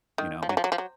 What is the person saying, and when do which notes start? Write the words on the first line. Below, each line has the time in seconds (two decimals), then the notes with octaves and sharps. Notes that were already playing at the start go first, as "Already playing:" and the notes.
you know, an
0.18 D#3
0.43 F3
0.49 F#3
0.57 F3
0.64 F#3
0.72 F3
0.78 F#3